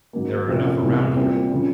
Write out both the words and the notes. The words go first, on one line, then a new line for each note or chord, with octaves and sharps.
"There are enough around here."
G#2 D#3 F#3 A#3
F2 C3 F3 A#3 C#4
C2 C3 E3 G#3 B3
A#2 G3 C4
C#3 F3